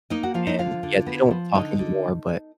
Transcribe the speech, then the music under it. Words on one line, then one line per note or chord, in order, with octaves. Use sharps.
and yeah, they don't talk anymore, but,
A#3 D#4 D#5
F#4 F#5
F3 F4 F5
D#4 D#5
D3 F4 F5
D3
B3
F3
D3 D#4 D#5
D3